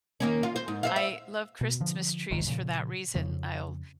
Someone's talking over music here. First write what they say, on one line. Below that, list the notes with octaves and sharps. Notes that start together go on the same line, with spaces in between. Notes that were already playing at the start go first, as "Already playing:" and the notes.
I love Christmas trees for that reason, I'll
D#3 A#3 C#4
F4
C5
G#2
C5 E5 F5
E5
B2
D3 F3
E1 C2 G#2 D#3
A#2 C#3 F3
F2 C#3 F3